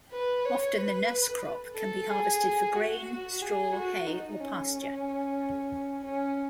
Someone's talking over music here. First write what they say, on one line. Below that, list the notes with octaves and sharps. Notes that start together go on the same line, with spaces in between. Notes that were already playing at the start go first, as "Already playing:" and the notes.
Often the nurse crop can be harvested for grain, straw, hay, or pasture.
B4
C#5
B4
A4
G#4
F#4
G#4
F#4
D#4
C#4
C#4